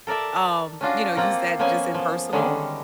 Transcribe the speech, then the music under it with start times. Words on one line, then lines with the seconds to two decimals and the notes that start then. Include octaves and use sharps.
um, you know, use that just in personal?
0.07 A4 A#4 D5 E5 A5
0.81 C#4 D4 F4 F#4
1.17 A#3 C4 F4 F#5
1.59 F3 A#3 B3 C#4 G#5
1.94 F3
2.33 D3 D#3 G3 G#3 C#4